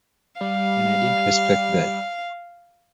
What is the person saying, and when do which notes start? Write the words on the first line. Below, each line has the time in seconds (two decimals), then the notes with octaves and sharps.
And I didn't respect that.
0.41 G3 F5